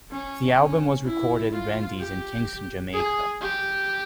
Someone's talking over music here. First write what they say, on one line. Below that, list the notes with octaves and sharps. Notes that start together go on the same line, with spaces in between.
The album was recorded at Randy's in Kingston, Jamaica.
C#4
C#4
E4
F4
G4
G#4
G4